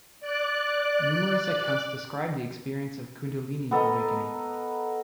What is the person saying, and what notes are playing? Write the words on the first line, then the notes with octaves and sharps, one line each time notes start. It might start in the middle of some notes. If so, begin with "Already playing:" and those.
Numerous accounts describe the experience of Kundalini awakening.
D5 F#6
B3 A4 A#4 D#5